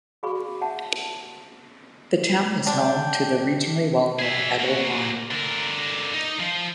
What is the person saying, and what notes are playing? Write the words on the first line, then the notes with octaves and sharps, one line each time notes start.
The town is home to the regionally well-known Edel Wine.
F#4 G#4 D5 F5 B5 C#6
C#5 E5 F#5 A5
D3 D4 G5
G#4 E5
A#3 F#4
D3 A#4
D#4
F3